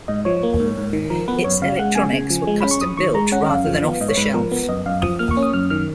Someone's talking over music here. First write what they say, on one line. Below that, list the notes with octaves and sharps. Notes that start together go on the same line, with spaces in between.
Its electronics were custom built rather than off-the-shelf.
G#2 D#5
F3 C#5
A#3
G#2
G#2
D#3
F3 A#4
B3 B4
F#2 C#5
C#3 F5
G#3 F#5
C#3 G#5
C#3
F3
G#3
C#4 B5
C#6
F2 D#6
D#3 C#6
G#3 A#5
C#4 F#5
F#2 F5
F3
B3
G#2 D#5
C#5
G#2 B4
F3 A#4
B3
F#2 D#5
F#2 F5
F3 D#6
A#3 F6
C#6
C#4
D#6
F#2 F6
D#3 F6